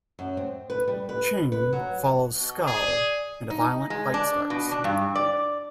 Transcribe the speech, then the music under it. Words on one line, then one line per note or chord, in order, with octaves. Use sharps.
Ching follows Skull and a violent fight starts.
F#2
C4
B4
G3
B4
B4
F#3
B2
G#4 D5
D#4
G#3
D4
B2
D4
G2
D5